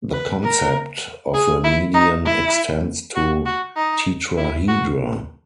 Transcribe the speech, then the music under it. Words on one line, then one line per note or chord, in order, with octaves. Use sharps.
The concept of a median extends to tetrahedra.
B4
A#4
G#4
E4
D#4
E4
F#4
F#4
D#4
E4
F#4